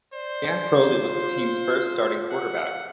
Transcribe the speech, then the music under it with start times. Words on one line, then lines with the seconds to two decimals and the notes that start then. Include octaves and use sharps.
Dan Crowley was the team's first starting quarterback.
0.13 C5 D5
0.98 F4
2.30 F#5